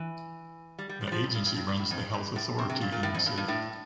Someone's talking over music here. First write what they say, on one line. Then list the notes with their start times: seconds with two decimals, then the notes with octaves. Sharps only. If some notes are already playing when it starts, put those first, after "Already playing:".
The Agency runs the health authority in the city.
Already playing: E3
0.79 G3
0.89 G3
1.01 F3
1.07 G3
1.12 F3
1.23 G2
1.35 G2
1.46 G2
1.57 G2
1.69 G2
1.79 A2
1.91 F2
2.13 G2
2.36 A2
2.59 C3
2.70 C3
2.81 A#2
2.92 A#2
3.03 A2
3.15 F2
3.26 G2
3.37 G2
3.48 A2